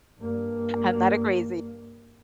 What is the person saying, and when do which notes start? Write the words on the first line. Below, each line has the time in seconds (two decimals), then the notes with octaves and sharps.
I'm not a crazy
0.19 G2 A#3